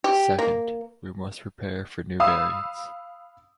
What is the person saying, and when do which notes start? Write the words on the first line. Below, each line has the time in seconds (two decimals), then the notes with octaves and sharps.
Second – we must prepare for new variants.
0.04 G4
0.39 A#3
2.20 F5 B5 D#6 E6